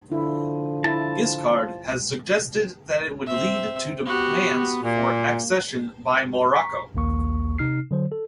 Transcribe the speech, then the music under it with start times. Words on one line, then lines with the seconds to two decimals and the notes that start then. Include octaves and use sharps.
Giscard has suggested that it would lead to demands for accession by Morocco.
0.12 D3 F3 E4
0.84 E4 A5
3.27 C4 E5
4.06 B3 F#4 G4
4.83 A#2 A#3
6.54 A#5 C#6 B6
6.95 A#1 D#2 A#3 C#6
7.58 C3 D#4 F6 C7
7.91 D3 F#3 C5
8.12 A4